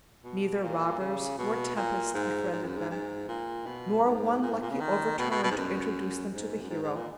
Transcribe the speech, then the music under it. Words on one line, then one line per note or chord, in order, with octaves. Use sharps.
Neither robbers nor tempests befriended them, nor one lucky overturn to introduce them to the hero.
B2
A#2
C#3
B2
A#2
G#2
G#2
F#2
G#2
G#2
A#2
B2
G#2
A#2
G#2
A#2
C#3
D#3
B2
B2
B2
G#2
F#2
G#2
F#2
G#2
G#2
A#2